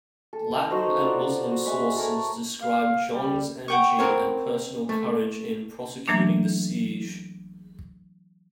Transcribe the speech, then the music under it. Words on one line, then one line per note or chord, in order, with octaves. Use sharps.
Latin and Muslim sources describe John's energy and personal courage in prosecuting the siege.
A4
D#4 F#4 C5 D#5
F4 D5 F#5
F#4
G#3 E5 F#5 B5
A4 A#4 C#5
F5
G3
F#5 G5 C#6
C4 A#4 C#5
A3
E3 F#3 A3 A#3 D4